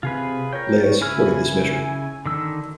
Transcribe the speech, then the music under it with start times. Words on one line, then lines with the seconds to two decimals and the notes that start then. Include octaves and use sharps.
Lea supported this measure.
0.03 C3 F4 G#4 B4
0.53 A#4 C#5 G5
1.01 C#3 E4 G#5 F6
2.26 D3 D#3 E6